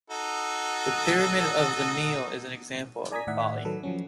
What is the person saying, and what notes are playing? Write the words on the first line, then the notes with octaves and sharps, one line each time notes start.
The Pyramid of The Neale is an example of a folly.
D#4 F#4 A4
D5 G#5 A#5 D#6 G#6 B6
A2 D#3 D5 E5 F#5 B6
D#3 F#3 A4 B4
F3 F#3 C#4